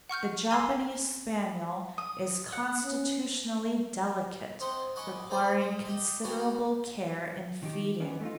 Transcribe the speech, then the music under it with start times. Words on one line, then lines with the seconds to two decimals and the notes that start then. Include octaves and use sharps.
The Japanese Spaniel is constitutionally delicate, requiring considerable care in feeding.
0.09 F#5 C#6 F6 G6
0.51 G#5 C6 E6 C7
1.98 D#6
2.52 F#5
2.83 C#4
4.61 C4 D#5 F#5 C6
4.96 D#5 F#5 G#5 B5 C#6 D6
5.30 C4 G#4 C5 D5
5.61 G#3
5.85 G4 D#5
6.24 B3 D4 F#4 G5 G#5 A#5
7.63 D#3 D#4 G4
8.00 D#3 E3 B3 C#4 D5
8.21 A3 D#4 F4